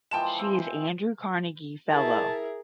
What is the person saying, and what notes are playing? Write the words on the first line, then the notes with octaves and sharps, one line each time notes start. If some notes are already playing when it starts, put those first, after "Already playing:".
She is an Andrew Carnegie fellow.
E3 F3 G#3 G5 A5 E7
C4
E4 G#4 A#4 E5 A5